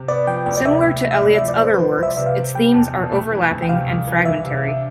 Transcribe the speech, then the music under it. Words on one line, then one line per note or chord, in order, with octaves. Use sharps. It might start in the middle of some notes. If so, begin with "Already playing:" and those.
Similar to Eliot's other works, its themes are overlapping and fragmentary.
Already playing: C3
B3 D5
F3 G5
D2 G5
D5
C3 E5
A2
A3
E5
A2 D5
E5
F3
D5
C4 C5
B4
F3 C5
C2 C5 E5
D5
C3 E5
F5
C4
G3 G5
E2 A5
B2
A3
E3
D2
G5
C3 F5
C2
E3
C2 E5
C3
D4